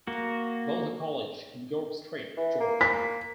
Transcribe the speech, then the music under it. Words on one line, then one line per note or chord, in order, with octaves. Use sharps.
Botha College in York Street, George.
A#3 F#4
E3
A#3
B6